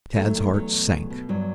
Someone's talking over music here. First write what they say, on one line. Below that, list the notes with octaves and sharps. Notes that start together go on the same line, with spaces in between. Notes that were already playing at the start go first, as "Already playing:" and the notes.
Tad's heart sank.
D#2 F#3 A3
D#3
E2 F#3 A3
B2
E2
B2
G2 F#3